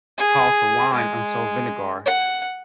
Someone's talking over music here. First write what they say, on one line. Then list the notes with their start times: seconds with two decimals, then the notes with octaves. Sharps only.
Call for wine and sell vinegar.
0.18 G#4
0.94 G#3
2.06 F#5